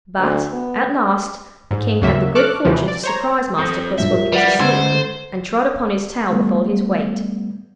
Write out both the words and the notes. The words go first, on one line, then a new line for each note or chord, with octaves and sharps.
But, at last, the King had the good fortune to surprise Master Puss while he was asleep, and trod upon his tail with all his weight.
D2
B3
G#2
D#2 C#3 F#3 A#3 E5
A4 C#6 D6 F6 F#6
D#2 C3 E3 F3
D5
C5 C#5 A#5
C4 A4 C5 G6 A#6
B1 G2 F3 E5
F4 G4 A#4
G3 B4 F#5
D3 G#3 C#4 C5 E6 G#6 A6
A4
G3 A3 B3